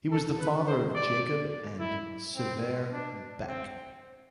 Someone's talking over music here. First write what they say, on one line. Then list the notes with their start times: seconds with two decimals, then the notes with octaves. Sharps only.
He was the father of Jacob and Sivert Beck.
0.11 A4
0.40 B4
0.67 C5
0.95 D5
1.80 E4
2.36 C4
2.92 D4
3.48 C4